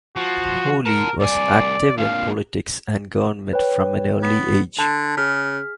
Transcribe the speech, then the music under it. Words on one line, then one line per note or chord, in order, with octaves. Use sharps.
Hawley was active in politics and government from an early age.
F3 F#4
A#4 F#5 A5
C2 D5 G#5
A#2 D3 F5
B4 C#5 G5
B3
D3 A5
C#3 G#4 F6 B6